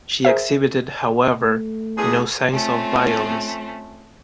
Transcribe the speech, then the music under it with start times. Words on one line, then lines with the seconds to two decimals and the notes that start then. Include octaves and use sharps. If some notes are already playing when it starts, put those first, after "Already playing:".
She exhibited, however, no signs of violence.
0.25 G#4 A#4 C5 E5
1.38 A3
1.97 E2 G2 G#4
2.51 A3 C4 C#4 F4